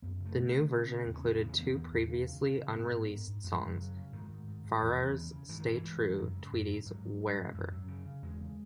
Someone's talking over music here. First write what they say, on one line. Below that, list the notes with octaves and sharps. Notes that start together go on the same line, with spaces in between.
The new version included two previously unreleased songs: Farrar's "Stay True", Tweedy's "Wherever".
F#2 B3
C#3
A3
C#3
A3
C#3
C#3 B3
C#4
C#3 B3
C#4
E2 B3
C#4
C#3 B3
C#4
E2 B3
C#4
E2 B3
E2
E2
C#3
C#3
C#3
C#3
G#2 B3
G#2
G#2
G#2
F#2 G#3
F#2
C#3 F#3
C#3
G#2 D#3
G#2
G#2
G#2
E2
E2
C#3
C#3
G#2 E3
D#3
G#2 E3
G#2
G#2
F#2
C#3
F#2
C#3
G#2 F#3
G#2
G#2
G#2
F#2
F#2
C#3
C#3
E2 G#3
C#3